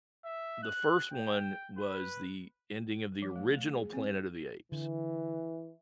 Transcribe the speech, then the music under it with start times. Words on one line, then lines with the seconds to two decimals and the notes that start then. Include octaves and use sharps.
The first one was the ending of the original Planet of the Apes
0.25 E5
0.63 F#6
1.13 G5
1.77 B4
3.22 F3
3.36 A3
3.55 A3
3.77 G#4
3.93 C4
4.72 D3 E3